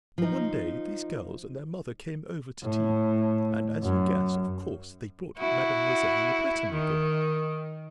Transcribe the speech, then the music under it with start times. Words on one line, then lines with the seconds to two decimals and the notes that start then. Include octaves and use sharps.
Well, one day these girls and their mother came over to tea, and, as you guess, of course, they brought Mademoiselle Le Breton with them.
0.18 F3 D#4
2.64 A2
3.83 F#2
5.38 E4 F#4
6.72 D#3